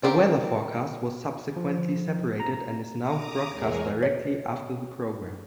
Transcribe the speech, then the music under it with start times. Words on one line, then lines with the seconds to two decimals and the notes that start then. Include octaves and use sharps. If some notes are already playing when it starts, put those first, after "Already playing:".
The weather forecast was subsequently separated and is now broadcast directly after the programme.
0.03 C4 G4 A#4 C5 D5
1.56 F3
2.40 A#5
2.53 A#5
3.00 A#5 D6 D#6
3.50 E2 G#3 G#4 A#4 C#5 G#5
4.03 C#5